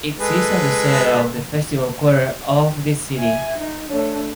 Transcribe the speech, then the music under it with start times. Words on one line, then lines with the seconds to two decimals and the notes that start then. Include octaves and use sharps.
It sits at the center of the festival quarter of the city.
0.18 G#3 A4 B4
3.19 E5 G#5
3.58 D#4
3.90 A3 D4 C#5